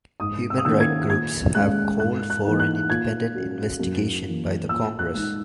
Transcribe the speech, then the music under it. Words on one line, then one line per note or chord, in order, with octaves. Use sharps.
Human right groups have called for an independent investigation by the congress.
G#2 D#6
E6
D#6
D#3 A#3 C#4 E6
G#6
A#2 G#6
G#3 C#4 F#6
G#2 F#6
F#6
E3 A#3 D#4
F#6
A#2 G#6
F#3 C#4
F#2
E3 A#3
A#2 E6
F#6
G#3 D#4